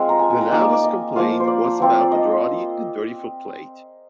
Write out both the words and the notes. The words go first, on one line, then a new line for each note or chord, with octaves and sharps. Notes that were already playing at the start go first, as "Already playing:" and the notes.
The loudest complaint was about the draughty and dirty footplate.
Already playing: G#3 C4 F4
A#5
G#5
G#5
A#5
A#3 D#4 G#5
D5
D5
D#5
F3 A#3 F4
C5
D5
F3 C4 F4
D5
D#5